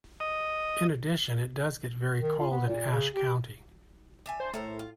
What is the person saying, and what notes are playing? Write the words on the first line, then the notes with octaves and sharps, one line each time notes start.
In addition it does get very cold in Ashe County.
D#5
D#3
F4
B3
A#2
C#3
G4
D4 E5 G#5
C5
A2 A4 A#4 C5
F4